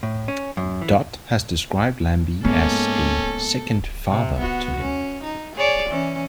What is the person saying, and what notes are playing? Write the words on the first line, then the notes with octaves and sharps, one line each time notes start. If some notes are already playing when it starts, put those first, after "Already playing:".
Dott has described Lambie as a "second father" to him.
A2
C#4
F#2
E3
G#2 A#3 B3 C#4 A4
C3
B3 F#4
C#4
D#4
G#4 C#5 D5
E3 C#4